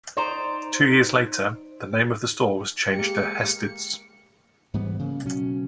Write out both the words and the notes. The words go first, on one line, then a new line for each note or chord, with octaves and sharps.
Two years later, the name of the store was changed to Hested's.
D#4 C5 D5 A#5
G#3 A#3 G4 C#7
G#2 E3 G3 B3
C#3 A#3
B2 F#3 C#4